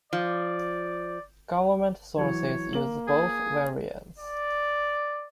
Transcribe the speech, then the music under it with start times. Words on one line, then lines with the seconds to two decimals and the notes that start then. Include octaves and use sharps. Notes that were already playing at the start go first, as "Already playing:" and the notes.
Government sources use both variants.
0.13 F3 D5
2.18 E3 F#3 C#5
2.73 A#3 F#7
3.08 G#4
4.18 D5